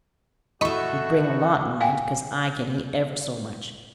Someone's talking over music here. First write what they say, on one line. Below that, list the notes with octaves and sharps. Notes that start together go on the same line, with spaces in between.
You bring a lot, mind, 'cause I can eat ever so much.
A2 F#4 A4 D#5 E5 B5 C#6
F5 G5 G#5